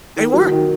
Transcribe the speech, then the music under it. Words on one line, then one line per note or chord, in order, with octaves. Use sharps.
They were.
D#3
F#3
D#3